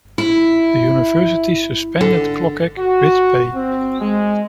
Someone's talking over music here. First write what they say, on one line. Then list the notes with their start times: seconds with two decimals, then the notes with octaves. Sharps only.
The university suspended Klocek with pay.
0.18 E4
2.01 D3
2.78 F#4
3.54 C4
4.00 G#3